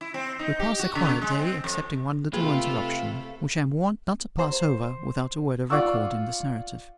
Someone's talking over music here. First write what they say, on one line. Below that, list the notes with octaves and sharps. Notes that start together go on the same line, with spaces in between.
We passed a quiet day, excepting one little interruption, which I am warned not to pass over without a word of record in this narrative.
E4
C4
D#4
G4
F#4
C#3
G#3
C4
F2
C3 A3 A#3 F4 G#4 A4 B4
C5
F4 D5 F#5 C#6 E6